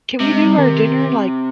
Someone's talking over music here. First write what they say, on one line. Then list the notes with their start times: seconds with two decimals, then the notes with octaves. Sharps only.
can we do our dinner, like,
0.20 C3 G#3
0.32 G#3
0.45 G3
0.58 D#3